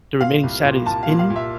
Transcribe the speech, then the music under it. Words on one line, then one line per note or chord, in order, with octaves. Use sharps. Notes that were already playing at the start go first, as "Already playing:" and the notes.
the remaining Saturdays in
A#2 F5
C2
A#2
C2 A5
F5
A#2
F5
A#2
E5